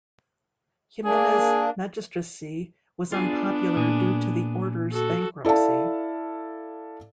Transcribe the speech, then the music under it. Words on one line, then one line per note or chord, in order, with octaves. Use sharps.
Ximenes' magistracy was unpopular due to the Order's bankruptcy.
A#3 D4 G#4
B3 D4 F4 G#4 D5
A#2 G#4
F#4 A4
E4 A4 D5 F5 A5